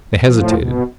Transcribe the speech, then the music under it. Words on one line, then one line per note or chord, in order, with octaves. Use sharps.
They hesitated.
A2 F3
B2